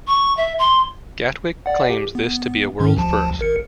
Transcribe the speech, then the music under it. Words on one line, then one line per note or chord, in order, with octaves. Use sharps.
Gatwick claims this to be a world-first.
C#6
E5
C6
D5 F#5
G4
B3
G#2 D#3 C#4
D2 F3 A5
G#1 A#4 C#7